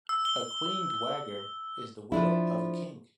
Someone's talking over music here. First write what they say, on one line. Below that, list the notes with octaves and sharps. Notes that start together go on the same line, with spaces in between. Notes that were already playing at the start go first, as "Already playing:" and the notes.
A queen dowager is the widow of a king.
E6
G7
F3 D4 E4